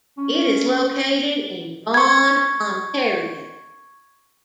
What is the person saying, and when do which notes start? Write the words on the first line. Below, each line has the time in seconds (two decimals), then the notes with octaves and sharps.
It is located in Vaughan, Ontario.
0.18 C#4
1.94 C#6 G#6